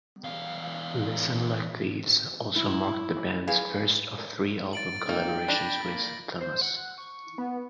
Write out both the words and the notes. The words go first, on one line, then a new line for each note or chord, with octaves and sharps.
"Listen Like Thieves" also marked the band's first of three album collaborations with Thomas.
E2 F5
E4
E3 G#4 D5 F5
D#4 A6 D7 F#7
A#3 D#4 G5
D4 B5 A#6 F#7
A#3
C5
F#5
C#6
B3